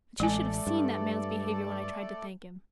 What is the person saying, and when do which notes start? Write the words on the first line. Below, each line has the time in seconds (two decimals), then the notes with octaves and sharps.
But you should have seen that man's behavior when I tried to thank him.
0.20 A1 G#3 A3 A4 D5 G#5
0.67 G2